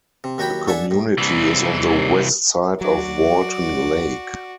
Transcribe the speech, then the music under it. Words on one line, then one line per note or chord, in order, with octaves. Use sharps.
The community is on the west side of Walton Lake.
C3
D#2 F#3 F#4 G4 G5 B5
D4 A4 E5 F#5 G#5 A5
A2
C2 E3
F#3 F#4 D5